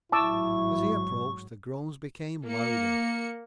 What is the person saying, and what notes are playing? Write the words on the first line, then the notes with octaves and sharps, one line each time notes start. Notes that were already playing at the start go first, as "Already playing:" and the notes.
As he approached, the groans became louder.
A1 G#2 F#3 E4 A5 C#6 D6 E6
A#3 C#7